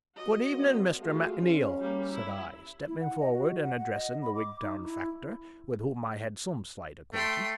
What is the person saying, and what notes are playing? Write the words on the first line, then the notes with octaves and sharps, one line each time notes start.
"Good evening, Mr. McNeil," said I, stepping forward and addressing the Wigtown factor, with whom I had some slight acquaintance.
F#4 D#5
F#3 A#3 C4
G#3 A3 F4 F#4
C#4
G3 A#3
E4
E4
F#5
D#5
F#4
F#5
F#5
D#5
B5
D6
D#4
E4
A3 G5 C6